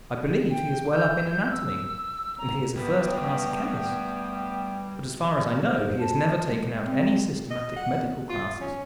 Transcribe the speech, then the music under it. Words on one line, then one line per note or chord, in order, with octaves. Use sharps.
I believe he is well up in anatomy, and he is a first-class chemist; but, as far as I know, he has never taken out any systematic medical classes.
G5
G6
E6
A#5
G3 A3 B3 B4 G5
C5
A5
G#3
C4
D#5
F#5
F4
C#4